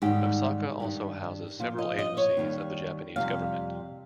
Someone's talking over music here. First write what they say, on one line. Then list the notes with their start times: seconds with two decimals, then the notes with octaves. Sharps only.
Osaka also houses several agencies of the Japanese Government.
0.02 G#2 D#3 G3 G4
0.80 G2 D#3 G3
1.59 A#2 F3 F4
1.78 D#5
1.99 D#5
2.17 C#5
2.37 D#2 D#3 G3
3.16 F2 C3 G3 F5